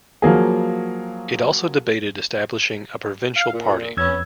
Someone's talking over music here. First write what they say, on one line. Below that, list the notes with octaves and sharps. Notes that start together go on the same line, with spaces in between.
It also debated establishing a provincial party.
F3 F#3 A#3 G#4
F5
A#2
F2 B3 C#4 E6 G#6